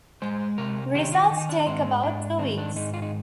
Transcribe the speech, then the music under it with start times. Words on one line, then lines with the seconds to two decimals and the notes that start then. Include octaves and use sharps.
Results take about two weeks.
0.22 G#3 C5
0.58 C3 A#4
0.95 D#3 G4
1.12 F4
1.31 D#3
1.37 D#4
1.49 D4
1.66 G#2 C4
2.03 G#2 D4
2.39 D#3 C4
2.58 D4
2.76 G#2 D#4
2.94 F4
3.02 D#4